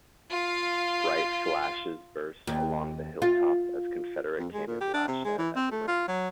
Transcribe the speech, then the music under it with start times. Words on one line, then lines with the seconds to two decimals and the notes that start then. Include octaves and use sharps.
Bright flashes burst along the hilltops as Confederate cannon lashed out at the rams.
0.31 F4 F5
2.47 D#2
3.22 F4
4.39 F2
4.53 G#3
4.67 A#2
4.81 G4
4.94 D4
5.08 C3
5.25 G#3
5.38 E3
5.56 C4
5.71 A3
5.88 F4
6.08 F#3